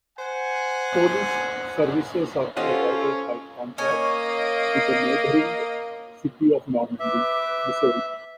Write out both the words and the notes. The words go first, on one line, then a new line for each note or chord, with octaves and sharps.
Police services are provided by contract with the neighboring City of Normandy, Missouri.
C5 F#5 G#5
C#4 F4 G4 A4 C5 D#5 F#5
A#3 C#4 C#5 D#5 G#5
B4 E5 D6